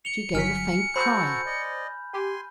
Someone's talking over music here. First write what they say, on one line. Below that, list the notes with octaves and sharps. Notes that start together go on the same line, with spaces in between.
She gave a faint cry.
C#7 F7 G7
G1 F#3 G#5 F6 B6
F#4 A4 C5 A#5 B5 G6
D5 D#5
G4 G#5 C6